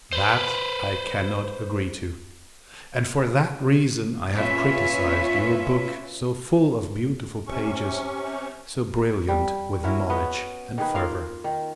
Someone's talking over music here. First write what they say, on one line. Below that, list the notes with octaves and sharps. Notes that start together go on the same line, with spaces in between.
That I cannot agree to; and for that reason I have criticised your book, so full of beautiful pages, so brilliant with knowledge and fervor!
B4 C5
A#2 C#4 F4 B4 E5
C3 C#4 C#6
G3
C#4 E4 F#4 A#4
B3 C#4 B4 D#5
D#3 G#4 B4
A#3 F4 A#4 F5
D#3